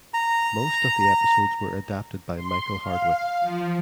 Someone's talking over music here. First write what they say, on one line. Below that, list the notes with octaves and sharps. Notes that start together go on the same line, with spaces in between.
Most of the episodes were adapted by Michael Hardwick.
A#5
C6
F5
F3